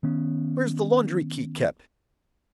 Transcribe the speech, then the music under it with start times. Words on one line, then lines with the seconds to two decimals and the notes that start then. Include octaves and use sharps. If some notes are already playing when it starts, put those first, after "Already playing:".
"Where's the laundry key kept?"
0.03 D#3 B3 C#4